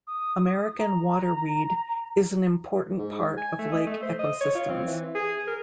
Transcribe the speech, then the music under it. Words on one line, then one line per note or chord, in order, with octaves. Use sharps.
American water weed is an important part of lake ecosystems.
D#6
A#5
G#2
G#5
A3
D#5
A3
C5
D#5
C#5
F4
C4
E3
G#4
A#4